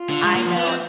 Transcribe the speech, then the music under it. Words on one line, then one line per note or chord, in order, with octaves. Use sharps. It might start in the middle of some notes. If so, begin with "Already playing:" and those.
I know.
Already playing: F4
D3
G#3
A#3
F3
B3
C4